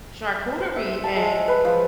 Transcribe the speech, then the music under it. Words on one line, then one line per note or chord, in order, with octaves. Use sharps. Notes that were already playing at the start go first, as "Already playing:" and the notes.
charcuterie and,
C5
E5
A5
G#3
B4
F3